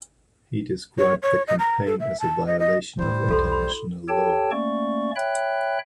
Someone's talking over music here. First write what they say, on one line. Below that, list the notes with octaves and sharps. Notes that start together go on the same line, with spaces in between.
He described the campaign as a violation of international law.
C#5
C#5
D#5
A#5
A4
E5
A5
D#5
D#5
A2 D3 G3 E4 C5
B1 E2 F#4 A4 C6
B5
G4 A4 C#5 G5 A5
A3 A#3 C#4 D5 C#6
C#5 E5 G5 B5 F#6